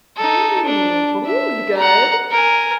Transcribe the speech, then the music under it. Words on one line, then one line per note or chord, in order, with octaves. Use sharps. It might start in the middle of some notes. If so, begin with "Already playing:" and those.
Oh, bowling's good,
D#4 A4
D4
E5
F#5 A#5
A#4 G#5